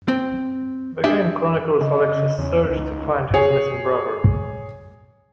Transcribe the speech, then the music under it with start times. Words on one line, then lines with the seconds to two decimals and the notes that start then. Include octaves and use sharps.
The game chronicles Alex's search to find his missing brother.
0.08 C4
1.04 D4 G4 G#4 E5
1.81 C#3 D#5
2.38 E2 C#4
2.70 C#2 D#4
3.34 G#4 C#5